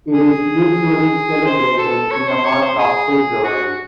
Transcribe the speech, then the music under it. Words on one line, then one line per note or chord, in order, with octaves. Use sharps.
It is usually celebrated in the month of February.
G#4
C5
A4
C#5
C5
C#5
C5
G#4
F#4